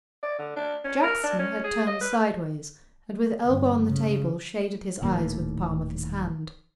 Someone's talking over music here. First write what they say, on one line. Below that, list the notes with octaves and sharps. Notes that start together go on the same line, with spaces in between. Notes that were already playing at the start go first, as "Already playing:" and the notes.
Jackson had turned sideways, and with elbow on the table shaded his eyes with the palm of his hand.
D5
D3
D4
C#4
A#4
D4
C#4
G#4
D#5
B4
G1
C#3
D#1 D#2 A2 A#3